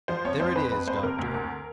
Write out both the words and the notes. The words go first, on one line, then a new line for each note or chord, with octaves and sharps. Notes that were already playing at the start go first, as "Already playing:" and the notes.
There it is, doctor.
F3 C5
F2 C#5
F2 C5
F2 B4
F2 B4
F2 C5
B4
C3 A#4
D2
D2